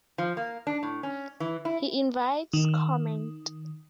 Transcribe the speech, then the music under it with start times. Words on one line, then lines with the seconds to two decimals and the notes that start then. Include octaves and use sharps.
He invites comment.
0.18 F3
0.37 A#3
0.67 D4
0.83 A2
1.03 C#4
1.40 E3
1.65 E4
2.53 D#3